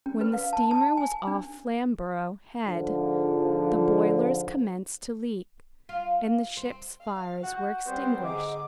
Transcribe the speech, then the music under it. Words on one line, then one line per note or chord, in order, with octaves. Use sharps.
When the steamer was off Flamborough Head the boilers commenced to leak, and the ship's fires were extinguished.
C#4
B4
F5
A5
A5
G#5
D4
G#2 D3 F3
F4
C4
F5
F#4 F#5 G6
G3 B3 C4 C5
G#2 D3 G#4 D#5 D6